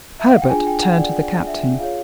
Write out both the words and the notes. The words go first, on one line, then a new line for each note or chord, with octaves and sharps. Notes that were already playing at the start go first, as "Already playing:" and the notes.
Herbert turned to the Captain.
E5
F5
F#5
G5
D4 F4 G#4 G#5
G5
F#5
D5
E5
F4 G#4 C#5 F5